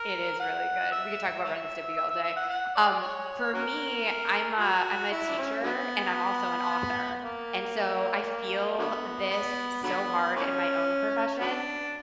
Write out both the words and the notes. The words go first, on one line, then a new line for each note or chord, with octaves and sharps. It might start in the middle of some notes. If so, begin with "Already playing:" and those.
It is really good, we could talk about Ren and Stimpy all day, um, for me, I'm a I'm a teacher and I'm also an author and, so, I feel this so hard in my own profession
Already playing: A#4
F#5
E5
C#5 E5
E5
E5
E5
F#5
F#5
D5
C#5
C#4 F#4 A#4
F#4
E4
D4
C#4
D3 F#3 B3
A#3
D3 F#3 B3
B3
D3 F#3 B3
E3 A#3 C#4
F#3 B3 D4